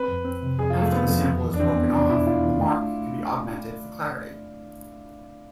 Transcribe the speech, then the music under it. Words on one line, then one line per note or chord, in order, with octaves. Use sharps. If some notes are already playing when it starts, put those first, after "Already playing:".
After the sample is broken off, the mark can be augmented for clarity.
Already playing: C4 B4
F2
C4
C3
F2 G#4
F4
F2
A3
B3 C4
F2
E2
E2
D4
E2 C4
B3
E2 D4
B2 E4
E4 F4
E2
A3